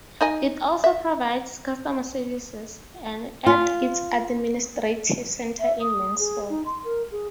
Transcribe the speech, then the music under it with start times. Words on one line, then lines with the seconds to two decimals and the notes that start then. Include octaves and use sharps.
It also provides customer services at its administrative centre in Mansfield.
0.21 D#4 D#5 G#5
0.84 E5
3.46 F4
5.60 E5
5.81 D#6
6.19 G#4
6.50 D#4
6.66 C6
6.84 A#4
7.12 G#4